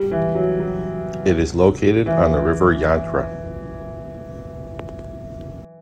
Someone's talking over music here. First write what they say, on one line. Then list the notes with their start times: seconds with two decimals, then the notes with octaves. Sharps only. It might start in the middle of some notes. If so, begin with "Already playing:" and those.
It is located on the river Yantra.
Already playing: G3
0.11 E3
0.35 F#3
0.60 F#3
2.06 E3